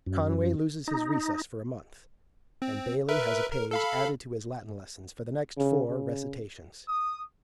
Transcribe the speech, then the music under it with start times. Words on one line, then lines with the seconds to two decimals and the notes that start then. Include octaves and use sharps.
Conway loses his recess for a month, and Bailey has a page added to his Latin lessons for the next four recitations.
0.06 F#2
0.88 D#4
2.62 C4
3.09 A#4 B4 E5
3.52 A#4
3.71 A4 F5 B5
5.58 C#3
5.88 C#3
6.88 D#6